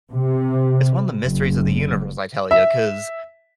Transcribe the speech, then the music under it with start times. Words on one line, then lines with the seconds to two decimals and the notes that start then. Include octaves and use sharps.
it's one of the mysteries of the universe, I tell ya, 'cause
0.11 C3
1.26 F#1
2.51 E5